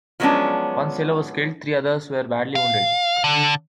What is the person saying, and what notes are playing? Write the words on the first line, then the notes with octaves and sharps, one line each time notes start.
One sailor was killed, three others were badly wounded.
F3 F#3 G#3 B3 C#4 D4
F5
D3